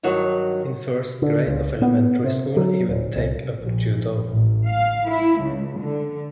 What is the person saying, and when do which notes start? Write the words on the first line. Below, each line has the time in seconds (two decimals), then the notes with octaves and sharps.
In first grade of elementary school he would take up judo.
0.03 G2 D#3 F#3 F#4
1.22 D3
1.47 C#2
1.82 B3
2.24 C3
2.57 F#3
2.89 D#1
3.16 C2
3.61 A#1
4.29 A1
4.65 F5
5.09 E4
5.39 C#2
5.79 D3